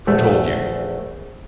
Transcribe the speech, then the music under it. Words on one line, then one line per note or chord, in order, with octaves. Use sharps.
"Who told you?"
A#1 E2 A3